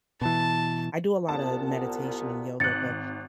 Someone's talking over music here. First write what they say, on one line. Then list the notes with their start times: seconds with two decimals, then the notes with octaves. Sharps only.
I do a lot of meditation and yoga, but
0.21 B2 E3 A5
1.29 C2 A#2 B3 A5
2.60 G#1 F#6 A6 C#7